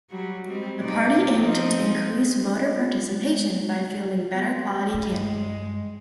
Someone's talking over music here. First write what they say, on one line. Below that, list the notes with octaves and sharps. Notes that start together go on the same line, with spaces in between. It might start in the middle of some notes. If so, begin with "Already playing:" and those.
The party aimed to increase voter participation by fielding better quality candidates.
F#3 G3 F#4
G3 G#3 C4
B2 D#4 D5
F3 C4 D#4
D4
D#5
F4
G#3
G#3
B3
G#3
F#4
B3
C6
G2 G#3